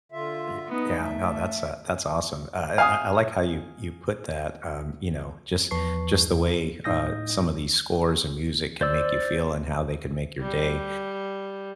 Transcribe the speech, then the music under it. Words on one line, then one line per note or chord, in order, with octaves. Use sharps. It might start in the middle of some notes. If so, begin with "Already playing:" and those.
Ye yeah, no, that's, uh, that's awesome. I I I I like how you you put that, um you know, just just the way, uh, some of these scores and music can make you feel and how they can make your day.
D3 F4 E5
B3 D#4
A3 E5
F5 G#5 D#6
E2 F3 B4 A5 C#6 C7
E2
A2 D#4 D#5 D#6 G6 A#6
C5 D5 E6
G3